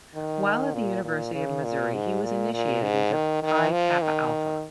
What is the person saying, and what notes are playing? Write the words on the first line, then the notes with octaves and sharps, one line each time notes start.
While at the University of Missouri, he was initiated into Pi Kappa Alpha.
D#3
A#2
A#2
C#3
A#2
G#2
A#2
A#2
G#2
D#3
D#3
F3
D#3